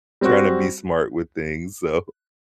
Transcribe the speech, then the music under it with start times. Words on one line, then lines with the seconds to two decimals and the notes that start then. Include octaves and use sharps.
tryna be smart with things. So
0.21 G3 C4 F#4